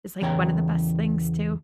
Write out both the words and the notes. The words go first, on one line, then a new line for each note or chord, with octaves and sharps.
is, like, one of the best things, too?
E2 C#3 E3 C#5 G5 A#5